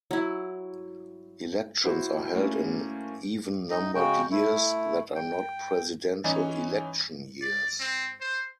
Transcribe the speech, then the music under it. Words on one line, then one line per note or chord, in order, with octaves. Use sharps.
Elections are held in even-numbered years that are not presidential election years.
F#3 E4
E4 F#4 C5
A3 A#3 C#4
D#4 D#5
C#3 G#3 F#4 G5
A3 E4
G5
E3 C#4 D#4
D5
C4
C5